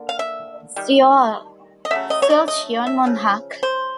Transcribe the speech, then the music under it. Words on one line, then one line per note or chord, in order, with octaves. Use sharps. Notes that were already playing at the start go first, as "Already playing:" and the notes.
Seoul: Silcheon Munhak.
Already playing: D3 A#3
F5
E5
D#3 G3
D#5
C#3 F#3 A3 E5
D#5
C#5
D5
D#5
E5
C#3 F3
C5